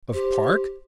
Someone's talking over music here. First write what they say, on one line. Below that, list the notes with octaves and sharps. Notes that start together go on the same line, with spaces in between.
"Of park?"
G4 C5